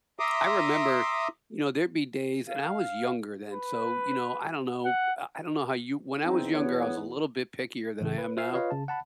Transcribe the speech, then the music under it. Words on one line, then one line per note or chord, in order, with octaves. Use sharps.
I remember, you know, there'd be days and I was younger then, so, you know, I don't know, uh, I don't know how you when I was younger, I was a little bit pickier than I am now,
E5 A#5 C6 D6 D#6
F5
B4
F#5
E2 C4 D#4
B3 C#5
A1 C#3
B4
F4 C5 E5 F6 C7
F4 B4 C#5 D#5 F5
C#3 A5
F#5 A5 B5